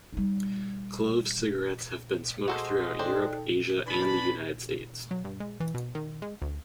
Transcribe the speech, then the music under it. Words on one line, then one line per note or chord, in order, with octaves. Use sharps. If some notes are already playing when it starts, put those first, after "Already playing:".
Clove cigarettes have been smoked throughout Europe, Asia and the United States.
G3 D#4
G#3 F#4 A4 C5
D4 D#4 A4 C5 G5
E3 D4 A5 B5
F#3
G2
G#3
E3
B2
D#3
G#3
D2